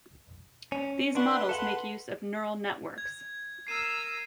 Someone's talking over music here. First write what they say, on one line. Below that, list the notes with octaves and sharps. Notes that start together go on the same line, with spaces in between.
These models make use of Neural networks.
C#4
D4 F#4 B4 C6
A4 E5 F#5
G#6
A#4 E6 C7 D#7 E7